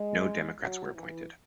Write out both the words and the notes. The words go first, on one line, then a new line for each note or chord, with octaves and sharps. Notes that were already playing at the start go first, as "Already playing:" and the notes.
No democrats were appointed.
Already playing: G#3
F#3
E3